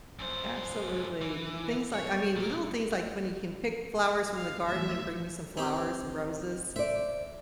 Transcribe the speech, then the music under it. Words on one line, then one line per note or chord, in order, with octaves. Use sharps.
Absolutely. Things like I mean, the little things, like, when he can pick flowers from the garden and bring me some flowers and roses,
F#2 C5
E3
C#5
A#2 A#3
F5
E2 A2 E5
C4 G4
C5 D5 E5